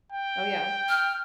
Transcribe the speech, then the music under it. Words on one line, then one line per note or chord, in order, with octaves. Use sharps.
Oh, yeah.
G5
F6